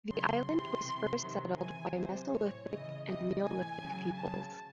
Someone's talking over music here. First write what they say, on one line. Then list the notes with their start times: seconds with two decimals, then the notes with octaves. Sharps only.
The island was first settled by Mesolithic and Neolithic peoples.
0.10 C#3 F#3 C6
0.47 C3 E3 C6
0.84 C3 E3
1.21 C3 D#3 F#3
1.58 C3 E3 G#5
1.95 C3 F#3 C5
2.32 A2 E3 C#5
2.69 C#3 E3 D#5
3.06 C3 E3 D#5
3.43 A2 E3 G#5
3.80 C#3 F#3
4.18 C#3 F#3 A5